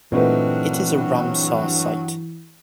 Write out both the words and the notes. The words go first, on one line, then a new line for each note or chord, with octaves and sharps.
It is a Ramsar site.
G2 A#2 E3 F#3 A3 C4 D#4 B4